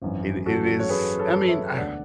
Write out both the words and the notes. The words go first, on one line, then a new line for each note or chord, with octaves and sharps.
It it is I mean, um,
G#1 F#2 E3
F#4 A4
C#5
G#4 B4
A4 C#5
C#5 E5
E1 D2 D3 D5 F#5